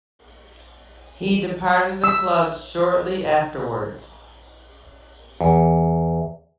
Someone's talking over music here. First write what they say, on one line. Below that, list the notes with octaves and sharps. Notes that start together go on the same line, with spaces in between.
He departed the club shortly afterwards.
E6
E2